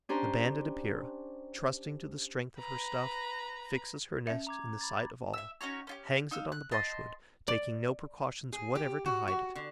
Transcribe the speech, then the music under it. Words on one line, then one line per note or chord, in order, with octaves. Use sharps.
The Banded Epeira, trusting to the strength of her stuff, fixes her nest in the sight of all, hangs it on the brushwood, taking no precautions whatever to hide it.
C#4 D4 G4 C5 A#5
B4 A#5
C#4 E5
A#5 D6 G#6
B5 A6
E5 E6
C#4 D#4 F#4 C#5
C#4 F4 G4
D#4 F5 E6
F#6
D#5 G5 A5 C6
D5
G#4
G4
F#4
F#4
D3